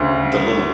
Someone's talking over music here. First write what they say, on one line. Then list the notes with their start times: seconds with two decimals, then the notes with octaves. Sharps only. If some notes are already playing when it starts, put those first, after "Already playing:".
the little
Already playing: D2 C#3